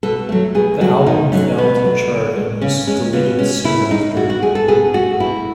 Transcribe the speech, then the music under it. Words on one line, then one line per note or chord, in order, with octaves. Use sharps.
The album failed to chart and was deleted soon after.
B2 A4
F#3 A3
B2 G#4
F#3 A3 F#4
B2 D#4
F#3 A3 C#4
B2 B3
F#3 A3
C#3
G#3
C#3 C#4
G#3 C#4
C#3 B3
G#3 C#4
C#3 E4
G#3 D#4
B2 F#4
F#4
A3 G#4
A4
B2 G#4
A3 F#4
B2 E4